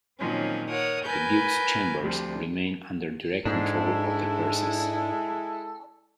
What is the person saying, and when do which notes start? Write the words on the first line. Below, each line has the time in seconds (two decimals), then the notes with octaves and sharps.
The Duke's Chambers remained under direct control of the Percys.
0.18 A#2 D#3 F3 F#3 C4 C#4
0.70 A#4 C#5 F#5 D#6
1.04 A#4 B4 G#5 B5 G6
1.99 D2 C3 F3 G3
3.45 G#2 G#3 D4 E4 A4